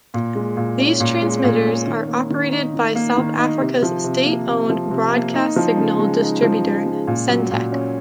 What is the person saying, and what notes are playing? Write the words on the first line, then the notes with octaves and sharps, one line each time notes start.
These transmitters are operated by South Africa's state-owned broadcast signal distributor Sentech.
A#2
G#3
A#2
C#4
A#2
G#3
A#2
C#4
D#3
A#3
D#3
D#4
D#3
A#3
D#3
D#4
C3
F3
C3
A#3
C3
F3
C3
A#3
D#4
F3
C#3
G#3
D#4
F3
C#3
G#3
A#2
F#3
A#2
C#4